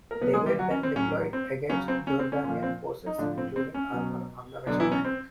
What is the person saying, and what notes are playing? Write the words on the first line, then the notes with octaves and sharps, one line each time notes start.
They were then deployed against Jordanian forces, including armour, on the West Bank.
A#4
B2 F#3 B3 B4
G#3 G#4
G3 G4
F#3 F#4
C#4
C4
A2 F#3 C#4
C4
C#3 F#3 C#4
C4
C#4
C4
C#4
A#2 F3 C#4
C4
D#4
A2 D3 F3 D4
C4
C4
C#4
B2 F#3
B2 D3 F#3 D4
E3 E4
C#4
C4